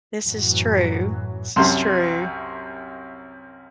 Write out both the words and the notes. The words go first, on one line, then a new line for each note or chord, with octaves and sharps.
This is true. This is true.
F#2 A2 E3 F#3
C2 F#2 A5 C6